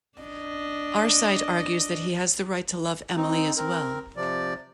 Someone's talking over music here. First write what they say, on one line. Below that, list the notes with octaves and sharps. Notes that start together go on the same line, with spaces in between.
Arcite argues that he has the right to love Emily as well.
D4 D#5
C4 D#4
C4 A#4
C3 F3 D5